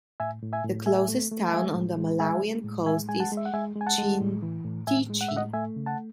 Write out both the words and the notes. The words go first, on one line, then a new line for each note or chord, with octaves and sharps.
The closest town on the Malawian coast is Chintheche.
A2 E5 G#5
A2
E5 G#5
A2
A3 E5 G#5
A3
A3
A5
G#3 E5 G#5
A2
G#3
G#3 E5 G#5
G#3
A2
G#3 E5 G#5
G#3 G#5
F#5 A5
G#3
E5
F#5
G#3 E5 G#5
G#3
G#5
F#5 A5
G#3
A2
E3
A2
A2 E5 G#5
G#3
F#5
A2 E5
D#5 F#5
A3 E5 G#5
C#3
F#5 A5